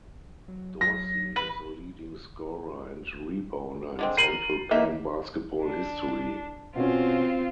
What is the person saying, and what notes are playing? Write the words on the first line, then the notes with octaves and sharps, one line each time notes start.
Dorsey is the leading scorer and rebounder in Central Penn basketball history.
F#3
F#3 A#6
A1 B4
D3 G#3 C4
A#4 C7 D#7 F#7
F#3 A#3 D#4 E5
D4
B2 C4 C#4 F4